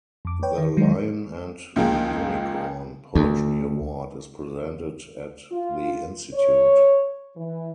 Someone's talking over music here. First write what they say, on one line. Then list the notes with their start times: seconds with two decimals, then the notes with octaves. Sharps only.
The "Lion and the Unicorn" Poetry Award is presented at the institute.
0.25 F2 D6
0.43 B4 C#5 G5
0.58 D#3
0.77 D#3 F#3 G#3
1.76 C#2 F3 A#3 G#4 G5
3.15 D2
5.52 F4
6.34 C#5
7.36 E3